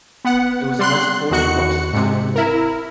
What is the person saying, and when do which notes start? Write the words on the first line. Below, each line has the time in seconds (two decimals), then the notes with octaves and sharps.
It was the most appalling rot, too.
0.25 B3 F#5
0.79 G3 C6 F#6
1.30 E2 D#3 F#4 F#6 C#7
1.93 G#2 C3
2.36 E4 A#4